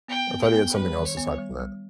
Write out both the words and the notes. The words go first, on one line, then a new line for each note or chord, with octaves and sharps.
I thought he had something else aside from that.
B3 G5
B3
G5
B3
G3 B4
D#3
C#5
B3
G3
G3